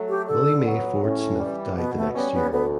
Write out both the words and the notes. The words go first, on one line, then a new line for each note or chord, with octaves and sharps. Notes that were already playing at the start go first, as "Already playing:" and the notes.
Willie Mae Ford Smith died the next year.
Already playing: F#3 A3
G4
D3 A4
F#3 B3 F#4
A2 C#4
E3 G3
B2 B3
A3
G3 B3 C#4
B3
D2 B3